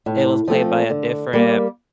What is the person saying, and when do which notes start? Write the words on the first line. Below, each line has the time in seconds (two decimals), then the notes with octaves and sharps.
it was played by a different
0.06 A2
0.48 F3 A3 C4 F4
0.90 D3
1.33 G3 A#3